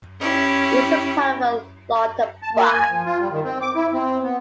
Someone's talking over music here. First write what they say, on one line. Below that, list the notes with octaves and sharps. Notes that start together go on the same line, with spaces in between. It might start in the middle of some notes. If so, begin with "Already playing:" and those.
It is a part of Lauterbach.
C#4 E4 G4
A5
A#3
G#5
F3
F4
G3
D#3
C4
D6
E4
C4
B3